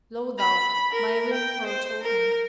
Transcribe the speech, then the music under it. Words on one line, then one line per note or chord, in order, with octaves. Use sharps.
Lo thou, my ring for a token!
B5
A#4
G5
C5
A#4